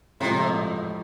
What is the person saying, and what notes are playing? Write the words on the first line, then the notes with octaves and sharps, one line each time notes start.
No, no.
A2 C3 F3 G#3